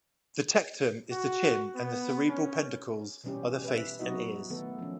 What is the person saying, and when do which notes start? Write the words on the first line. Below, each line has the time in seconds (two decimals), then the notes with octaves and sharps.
The tectum is the chin and the cerebral peduncles are the face and ears.
1.12 F#4
1.75 B3
2.29 C#4
3.24 B2 E3 G3 C#4 E4 G4
3.64 B4 E5
3.99 F#3 B3 D#4 E4 F#4 D#5
4.50 D#3 A3 B3 A4
4.79 F3 C#4